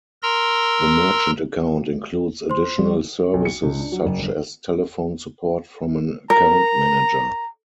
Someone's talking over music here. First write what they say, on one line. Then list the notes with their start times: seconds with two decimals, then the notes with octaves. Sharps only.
The merchant account includes additional services such as telephone support from an account manager.
0.23 A#4 A#5 C6 E6 A#6
2.50 C5 C6
2.79 G3
3.34 B1
3.45 C#7
3.63 C#2
3.79 D4
3.92 F#3
4.05 F#1
4.19 G1
6.30 A#4 A#5